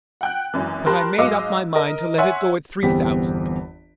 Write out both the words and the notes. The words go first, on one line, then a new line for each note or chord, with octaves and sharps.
But I made up my mind to let it go at three thousand.
F#5 G5 F#6
G#1 F#2 E3
G4 A#4 A5 B5 C6 F#6
G#2 F#3 D#5 F5 D6 E6
A#4 D#5
C#5 E5 F#5 G#5 C6
G1 E2 B3 C4 G4 B6